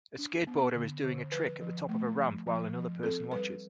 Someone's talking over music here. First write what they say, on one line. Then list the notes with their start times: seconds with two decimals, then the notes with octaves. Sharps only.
A skateboarder is doing a trick at the top of a ramp while another person watches.
0.18 D4
0.47 B3
0.75 D3
1.04 D3
1.32 F3 B4
1.60 F3
1.89 A3
2.18 F3
2.46 F3
2.75 F3
3.03 C4 A4
3.32 G3 B4